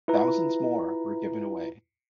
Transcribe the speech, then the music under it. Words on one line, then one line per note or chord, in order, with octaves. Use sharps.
Thousands more were given away.
E4 F4 B4 A#5